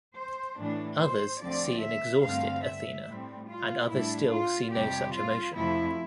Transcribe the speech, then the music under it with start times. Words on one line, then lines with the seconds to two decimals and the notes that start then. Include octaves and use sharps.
Others see an 'exhausted Athena', and others still see no such emotion.
0.17 C5
0.59 A2 E3 A3 D4
1.00 C5
1.41 D2 D3 F3 C4 D5
1.82 E5
2.24 G2 D3 A3 C4 F5
2.65 E5
3.08 A2 G3 C4
3.48 F4
3.89 A2 G3 D4 E4
4.32 F4
4.72 F2 C3 G3 G4
5.14 F4
5.55 F2 C3 F3 A3 E4